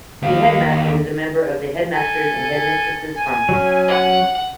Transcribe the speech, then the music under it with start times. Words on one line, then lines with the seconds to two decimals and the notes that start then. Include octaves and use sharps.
The Head Master is a member of the Headmasters' and Headmistresses' Conference.
0.22 D#2 F5
1.93 A4 G#5
2.54 G#5
3.15 G#5
3.49 F#3 C#4
3.88 F#5